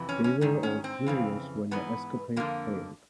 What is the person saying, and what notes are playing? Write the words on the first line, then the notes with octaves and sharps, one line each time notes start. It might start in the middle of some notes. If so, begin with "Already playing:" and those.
They were all furious when the escapade failed.
Already playing: F2 C3 E3
C#4
C#4
G#2 D#3
C#4
C4
F2 C#3 E3
G#2 E3 B3
F2 D3 A#3